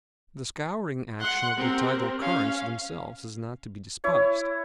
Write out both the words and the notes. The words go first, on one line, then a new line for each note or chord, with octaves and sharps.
The scouring action of the tidal currents themselves is not to be despised.
F#5 C6
C4 G4 A#4
C#4 F5
E4 C#5